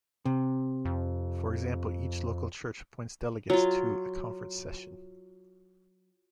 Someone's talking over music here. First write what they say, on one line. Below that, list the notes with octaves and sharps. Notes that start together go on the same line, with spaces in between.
For example, each local church appoints delegates to a conference session.
C3
F2
F#3 F4